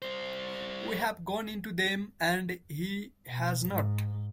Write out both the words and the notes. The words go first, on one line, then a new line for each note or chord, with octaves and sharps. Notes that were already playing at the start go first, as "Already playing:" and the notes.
We have gone into them, and he has not.
G3 C5
B2
G#2